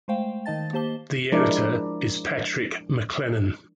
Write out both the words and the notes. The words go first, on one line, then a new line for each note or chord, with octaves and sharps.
The Editor is Patrick McLennan.
G#3 A3 C5 F5 G5
D#3 D#4 D#5 A5 A6
A#3 G4 C5 A5 G7
F3 G#3 D4 E4 A#4 D5